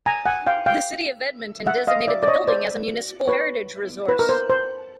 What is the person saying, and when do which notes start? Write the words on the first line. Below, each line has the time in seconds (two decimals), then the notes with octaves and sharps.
The City of Edmonton designated the building as a Municipal Heritage Resource.
0.06 G#5 A#5
0.26 F#5 G#5
0.47 F5 G5
0.66 F5 G5
1.66 E5 F#5
1.87 D#5 F5
2.07 D5 E5
2.23 D5
2.27 C#5 D#5
2.48 C5 D5
3.28 B4 C#5
4.09 B4
4.19 A#4
4.29 C5
4.50 C5